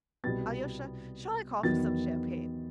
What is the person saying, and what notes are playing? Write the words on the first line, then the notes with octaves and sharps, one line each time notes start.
Alyosha, shall I call for some champagne?
C2 B2 G3 B3 A6
E2 D#3 F#3 B3 A6